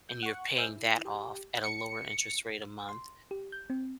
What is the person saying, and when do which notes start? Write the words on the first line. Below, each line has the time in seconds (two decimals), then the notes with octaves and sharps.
and you're paying that off at a lower interest rate a month.
0.09 G6
0.23 F#5 C#6
0.56 C5 D#5 G#5 E6 F6 G6
0.69 E4
1.05 G4
1.64 C#7
2.89 C6
3.31 G4
3.52 G6
3.70 C4